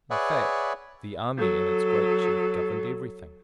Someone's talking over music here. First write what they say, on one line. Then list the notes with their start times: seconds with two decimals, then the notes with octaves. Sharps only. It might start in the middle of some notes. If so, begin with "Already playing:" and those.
In fact, the army and its great chief governed everything.
0.10 G#4 B4 C#5 D5 E5 F#5
1.38 F#3 A4